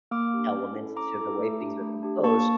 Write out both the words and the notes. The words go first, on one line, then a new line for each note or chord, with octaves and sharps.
element to the way things are composed.
A#3 D6 F6
D4 G4
C#4
E4 A4
C#4 A#5 D6
E4 A4
A3
D4 G4
A3
D4 G4
A#3 A5 C#6